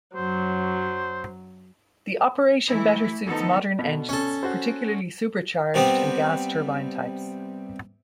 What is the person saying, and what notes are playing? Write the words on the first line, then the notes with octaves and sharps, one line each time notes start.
The operation better suits modern engines, particularly supercharged and gas turbine types.
F#2 F#3 C5
E3 A3 E4
D#3 F3 B3 D#4 A4
B2 D3
C#4 A4
F#4 C5
C3 G3 B3 C4